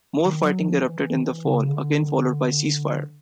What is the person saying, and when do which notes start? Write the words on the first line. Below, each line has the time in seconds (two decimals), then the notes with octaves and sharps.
More fighting erupted in the fall, again followed by a ceasefire.
0.25 D#3
0.42 F#3
0.61 F3
0.78 E3
0.96 E3
1.13 D#3
1.21 E3
1.44 C#3
1.68 D3
1.98 D#3
2.03 D3